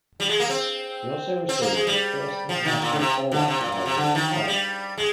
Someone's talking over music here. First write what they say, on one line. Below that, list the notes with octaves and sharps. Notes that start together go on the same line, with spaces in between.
He also received his first international call up while with the club.
G3
G#3
A#3
C4
C4
A#3
G#3
G3
F3
D#3
A#2
D3
C3
D3
C3
A#2
A#2
C3
D3
D#3
F3
G3
G#3